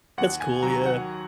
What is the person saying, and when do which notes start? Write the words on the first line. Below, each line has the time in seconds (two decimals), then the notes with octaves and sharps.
That's cool, yeah.
0.17 D#2 F#5
0.40 G#5
0.63 D#3 F#3 A#5
0.86 F#5